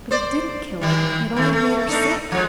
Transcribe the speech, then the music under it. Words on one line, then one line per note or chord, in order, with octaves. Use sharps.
But it didn't kill her; it only made her sick.
C5 D5
D#3 G3
D#3 A3
A3
A3 D4 D#4
F3 G#3